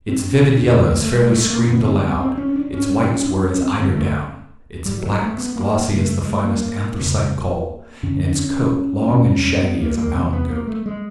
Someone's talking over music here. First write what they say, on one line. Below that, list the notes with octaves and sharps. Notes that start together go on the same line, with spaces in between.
Its vivid yellows fairly screamed aloud; its whites were as eider down; its blacks glossy as the finest anthracite coal, and its coat long and shaggy as a mountain goat.
C4
C#4
D4
D4
F2 D3 C#4
B3
A#3
A3
G#3
A3
A#3
A#3
F#2 D3 B3
C4
B3
C4
C#4
D4
G#2 C#4
C#4
D4
C#4
C4
G2 D3 C4
A3
G#2 G3
F#3
G3
G#3
A3
B3
A#3
A#3
F#2 C#3 A#3
A3
G#3
A3
A#3
F2 C#3
F#2 D3 C#4
C#4
D4
C#4
E2 C3 C#4
B3
A#3
A#3
E2 C3 C4
B3
A#3
A3
G#3